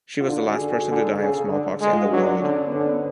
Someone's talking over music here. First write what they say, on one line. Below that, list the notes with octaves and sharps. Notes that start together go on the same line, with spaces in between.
She was the last person to die of smallpox in the world.
F4
D3 D4
F#4
G#4
D3 A4
G#4
F#4
D3 G#4
A4
A4
C#3 G#4
A4
A4
D3
G#3 G#4
F4
F4
F#3 D4
D3 C#4
B3
D3 C#4
B3